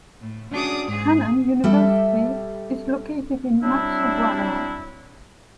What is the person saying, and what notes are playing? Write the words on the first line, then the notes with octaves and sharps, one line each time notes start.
Hannan University is located in Matsubara.
A2
C#4 D4 F#4 G#4 D6 D#6
G#2 G#4
G3 G4 A4 E5
F#3 G3 C4 D4 E4